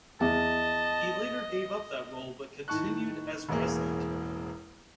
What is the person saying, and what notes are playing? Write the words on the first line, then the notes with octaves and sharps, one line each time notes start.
He later gave up that role but continued as President.
E2 D#5 A5
A2 D#3 A5 C#6 F#6
E1 A1 E2 A#3 G#4